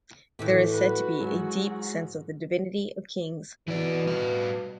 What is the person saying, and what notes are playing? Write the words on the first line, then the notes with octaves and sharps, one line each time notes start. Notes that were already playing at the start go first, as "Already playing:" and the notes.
There is said to be a deep sense of the divinity of kings.
A2 E3 A3 G4
F#4 B4
G#2 F#3
B2 E3 D5
G3 F5